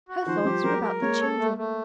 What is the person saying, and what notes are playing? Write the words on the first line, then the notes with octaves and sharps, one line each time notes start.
Her thoughts were about the children.
F#4
D#3 F3 C5
F3 G3 G4
F#3 G#3 A#4
A#4
G#3 A#3 C#5
A4
A3
A3